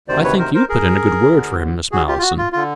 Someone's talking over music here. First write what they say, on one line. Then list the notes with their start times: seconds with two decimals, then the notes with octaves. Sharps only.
"I think you put in a good word for him, Miss Malleson."
0.08 D2 C3 D#3 C5 D5
0.24 B4 C#5
0.39 A#4 C5
0.54 A#4 C5
0.69 G#4 A#4
1.31 D2 D3
1.91 F#4 G#4
2.07 F4 G4
2.18 F4
2.22 F#4
2.38 F4
2.53 D3 F4